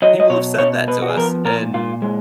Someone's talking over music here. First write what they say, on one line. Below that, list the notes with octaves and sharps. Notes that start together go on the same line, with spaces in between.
People have said that to us, and
F#3 D#5
D#5
B2 C#5
B2 C#5
B3 B4
F#4
G#4
F3 A#4
A#2 A#4
A#2 F4
G#3